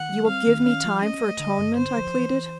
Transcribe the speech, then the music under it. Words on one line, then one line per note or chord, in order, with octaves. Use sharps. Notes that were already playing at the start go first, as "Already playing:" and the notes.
"You will give me time for atonement?" I pleaded.
Already playing: D#3 F#5
G3
C4 F5
D#3
C#4 F5
F3
C#4 D#5
A3
D3
G2
D3 C5
F3
E3
E3